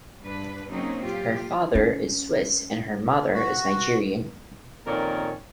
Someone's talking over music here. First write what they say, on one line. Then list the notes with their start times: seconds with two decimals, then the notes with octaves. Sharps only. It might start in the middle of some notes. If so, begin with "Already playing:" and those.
Her father is Swiss and her mother is Nigerian.
0.22 G2 D4 B4
0.69 C#3 F#3 A#3 C4 C#4 D#4
1.03 A#2 F4 G4
1.75 C#4
3.34 F#4
4.87 F2 A#2 D#3 C#4 A#4 D5